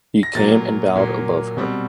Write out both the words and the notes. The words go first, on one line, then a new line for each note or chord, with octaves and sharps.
He came and bowed above her.
A#6
A#2 F#3 A#3 A6
A#2 F#3 A#3
B2 G3 C4